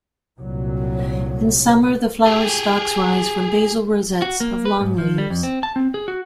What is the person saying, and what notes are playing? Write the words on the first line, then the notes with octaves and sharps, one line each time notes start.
In summer the flower stalks rise from basal rosettes of long leaves.
C2 A#2 F#3
G4 G#4
F#4
A#3
B4
G#2
F3
G3
F2
C4
A5
C4
G#4
F#4